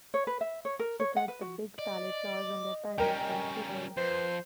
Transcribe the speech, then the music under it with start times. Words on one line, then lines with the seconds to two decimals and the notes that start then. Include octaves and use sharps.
She touched the big, pallid flowers on their petals, then shivered.
0.14 C#5
0.27 B4
0.41 E5
0.65 C#5
0.79 A#4
1.00 C#5
1.16 F#5
1.28 B4
1.41 F#4
1.79 D5 D#5
2.98 G3 C#4 A#4 G5
3.97 F2 B4 C5